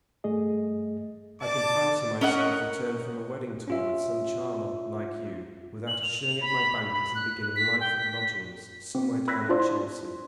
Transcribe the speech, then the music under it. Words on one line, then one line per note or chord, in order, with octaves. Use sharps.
I can fancy myself returned from a wedding tour with some charmer, like you, without a shilling at my banker's, and beginning life at lodgings, somewhere down at Chelsea.
G2 A3 G#4 D#5
D5 A5 D6
C#4 A#4 D#5 F#5
C#4 F4 E5
F#7
F7
B5
B5
F#6
B6
G5
B6
C4
B5 E6 F#6 G#6 A#6 B6
D4 E4 F4 C5 D5 C6